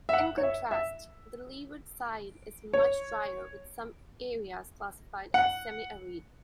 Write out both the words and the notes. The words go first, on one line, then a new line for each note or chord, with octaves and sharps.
In contrast, the leeward side is much drier with some areas classified as semi-arid.
E5
F#5
C#5
E5
E5
C#5
F#5